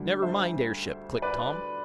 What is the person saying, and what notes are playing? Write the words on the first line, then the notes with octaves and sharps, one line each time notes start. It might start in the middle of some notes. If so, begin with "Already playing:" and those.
"NEVER MIND AIRSHIP," clicked Tom.
Already playing: D2 D3 G3 D4
C5 E5
B4 D5